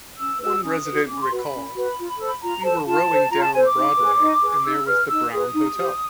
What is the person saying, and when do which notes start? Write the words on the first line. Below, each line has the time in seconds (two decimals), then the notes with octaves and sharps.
One resident recalled: We were rowing down Broadway and there was The Brown Hotel.
0.16 C#4 E6
0.39 F#4 B4 E6
0.61 C#4 D#6
0.84 F#4 B4
1.06 C#4 D6
1.16 B5
1.21 C6
1.29 F#4 B4
1.36 B5
1.51 C#4
1.74 F#4 B4
1.96 F4
2.18 A4 C5
2.40 F4 A#5
2.62 A4 C5 A5
2.85 F4 A5
3.07 A4 C5
3.29 F4 A#5
3.40 A5
3.52 A4 C5 G#5
3.63 D6
3.74 D#4
3.97 G#4 B4
4.19 D#4
4.41 G#4 B4
4.63 D#4 E6
4.86 G#4 B4 F6
5.08 D#4 E6
5.30 G#4 B4 D#6
5.53 D#4
5.75 G4 C5